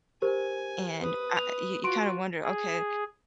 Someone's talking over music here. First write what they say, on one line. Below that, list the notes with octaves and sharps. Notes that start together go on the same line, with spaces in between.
and I you you kind of wonder, "Okay,
G4 A#4 C5 G#5
B4 D#6
F7
F4 F#4 C6 D7
G#4